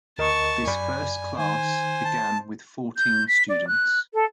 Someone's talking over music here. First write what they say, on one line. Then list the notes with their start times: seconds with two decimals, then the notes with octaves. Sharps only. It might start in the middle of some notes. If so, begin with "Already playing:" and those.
This first class began with fourteen students.
0.18 D2 A#4 D#5 A5 C#6
0.67 F#2 D5 G#5 B5
1.38 D#3 C5 G#5
2.05 A5
2.97 G6
3.27 B6
3.49 D5
3.67 F#6
4.13 A4